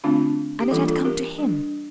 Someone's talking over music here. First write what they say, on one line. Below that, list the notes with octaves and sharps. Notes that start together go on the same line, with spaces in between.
And it had come to him!
D3 A3 C4 D4 F4
G4
E3 G3 A#3 D4 F4 A4
F4 A4
G4 A#4
G3 D4